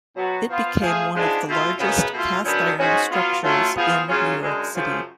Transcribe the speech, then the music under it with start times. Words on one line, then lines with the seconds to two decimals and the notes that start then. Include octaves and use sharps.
It became one of the largest cast-iron structures in New York City.
0.16 B2 F#3 B3 F#4
0.48 F3 B3 F4
0.81 F3 A3 F4 G#4
1.14 G#2 F3 G#3 B3 D4
1.47 B2 A3 F4
1.79 F#2 C#3 G#3 B3
2.12 B2 A3 F4
2.45 F#2 D3 F#3 B3
2.78 G#2 G#3 C#4 F#4
3.10 F#3 B3 F4
3.43 F#3 A3 C#4 F4
3.76 F3 B3 F4 G#4
4.09 C#3 F#3 C#4 F4
4.42 F#2 D3 G#3
4.74 F#2 C#3 F3 A3 F4